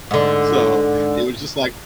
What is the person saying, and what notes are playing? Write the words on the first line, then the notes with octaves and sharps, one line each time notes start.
So it was just like
G#2 D3